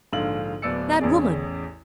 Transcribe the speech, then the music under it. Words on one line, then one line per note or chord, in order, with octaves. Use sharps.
That woman!
A#1 G#2 D3 F5 F#7
D1 B3 D5 E6 C#7
A1 E2 C#4 G#4 D5